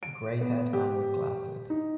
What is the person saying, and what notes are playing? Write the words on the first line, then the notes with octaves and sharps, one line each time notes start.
Grayhaired man with glasses.
D7
B3
G4
D#4